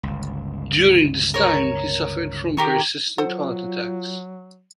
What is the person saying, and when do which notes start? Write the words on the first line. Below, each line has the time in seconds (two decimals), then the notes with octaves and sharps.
During this time, he suffered from persistent heart attacks.
0.03 G1 C#2
1.34 A#4 C#5
2.57 D#3 G4 A#4 C#6
3.18 F#3 F4 A4 C5 F#5